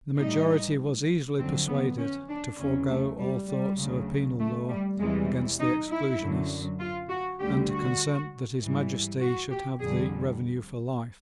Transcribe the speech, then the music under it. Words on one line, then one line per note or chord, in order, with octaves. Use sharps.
The majority was easily persuaded to forego all thoughts of a penal law against the Exclusionists, and to consent that His Majesty should have the revenue for life.
A2 E3 G3 D#4
F2 D3 F#3 C4
B3
C#4
D4
E2 C#3 F#3 C#4
A3
G3
G3
D2 C#3 F#3
A3
G3
E2 C3 E3 G3 G#3
D#4
E4
F#2 D3 F#3
F4
F#4
D2 D3 G3 G4
F#4
G#2 E3 G3
F#4
G4
F2 D3 G3 G#4